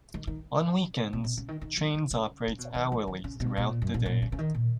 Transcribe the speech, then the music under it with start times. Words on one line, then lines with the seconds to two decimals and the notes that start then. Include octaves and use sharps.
On weekends, trains operate hourly throughout the day.
0.14 D#3
0.27 D#3
1.13 B2
1.24 B2
1.37 C#3
1.48 D#3
1.61 D#3
1.77 F3
1.94 D#3
2.11 C#3
2.48 C#3
2.58 B2
2.75 D#3
2.92 F3
3.07 D#3
3.24 C#3
3.40 B2
3.57 B2
3.69 A#2
3.82 F#2
3.94 A#2
4.06 A#2
4.22 C#3
4.32 C#3
4.38 D#3
4.55 A#2